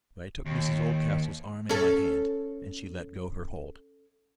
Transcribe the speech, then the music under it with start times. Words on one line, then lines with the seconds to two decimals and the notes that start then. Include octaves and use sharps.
But I took Mrs Oldcastle's arm in my hand, and she let go her hold.
0.46 D#2
1.69 C#4 A4